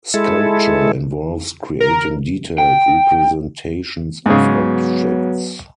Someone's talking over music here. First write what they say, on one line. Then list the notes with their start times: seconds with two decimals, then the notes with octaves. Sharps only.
Sculpture involves creating detailed representations of objects.
0.14 G#3 E4 A4
1.80 A#4
2.58 G5
4.26 G#2 C#3 F#3 B3